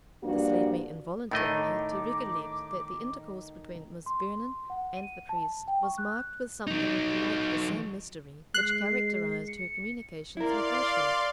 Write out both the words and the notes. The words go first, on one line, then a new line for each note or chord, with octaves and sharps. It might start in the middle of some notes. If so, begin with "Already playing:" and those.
This led me involuntarily to recollect that the intercourse between Miss Vernon and the priest was marked with something like the same mystery which characterised her communications with Rashleigh.
G2 F3 A#3 D4 F#4
A2 D#3 A3 D#5 D6
C6
F#5
D#7
A5
G5
C#6
F#6
F#3 D#4
G#3 F#6 C7
C#7
E4 A#4 D5 F5 C6